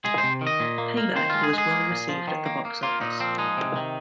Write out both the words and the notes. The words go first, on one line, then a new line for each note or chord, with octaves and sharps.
"Payback" was well received at the box office.
G#3 G#4
C5
C3
D#3
D#5
A#2
A#3
A#3
D#3 C5
G#3 F4
G#4
G#3 G#4
A#3
A#2
F3
D#3
A#3
A#3
A#3 F4
A#2 D#4
F3 C4
G#3 D#4
C3
D#3